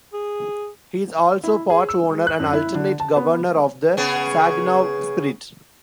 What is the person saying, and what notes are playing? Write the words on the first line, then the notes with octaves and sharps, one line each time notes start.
He is also part owner and alternate governor of the Saginaw Spirit.
G#4
E4
G#4
E6
G#3
F#6
F#2
E4
D3
A5
B3
C#3 B3 G#4